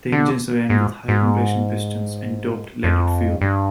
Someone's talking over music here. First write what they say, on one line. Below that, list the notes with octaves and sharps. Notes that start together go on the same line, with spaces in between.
The engines ran with high-compression pistons and "doped" leaded fuel.
D3
G#2
G#2
F2
G2